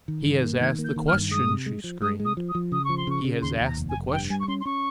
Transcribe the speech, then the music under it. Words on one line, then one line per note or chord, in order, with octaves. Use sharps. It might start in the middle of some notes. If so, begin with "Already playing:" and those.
"He has asked the question!" she screamed--"he has asked the question!"
D#3
G2
A#3
D#3 G#6
A#3
G6
D#3
F6
G2
G#3 D#6
C3
G#3
F3
G#3 D#6
G#3
D#6
F3
D#6
F3
C#3 D#6
F3 C#6
C6
C#3 C#6
C#3
D#2 C6
D#2
A#5
F1
G#5
F1
G2 G5
G3 G#5
C#6
C#4 C6
C6
C#4 C#6